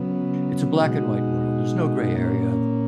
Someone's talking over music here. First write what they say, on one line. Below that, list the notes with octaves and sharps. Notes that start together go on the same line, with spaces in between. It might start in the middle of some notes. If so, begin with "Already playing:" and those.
it's a black and white world, there's no gray area,
Already playing: C#3 F#3 B3
B2 G#3 D#4 F#4
A#2 A#3 C#4